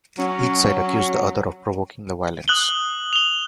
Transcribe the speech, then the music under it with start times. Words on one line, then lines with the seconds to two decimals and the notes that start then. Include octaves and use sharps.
Each side accused the other of provoking the violence.
0.19 F#3 C#4
2.48 D#6 F#6 F#7 G7
3.13 F7 G7